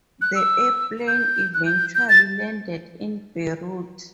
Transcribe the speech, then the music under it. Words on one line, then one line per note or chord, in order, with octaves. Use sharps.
The airplane eventual landed in Beirut.
F#6
E6
G6
F#6
G6
G6
A6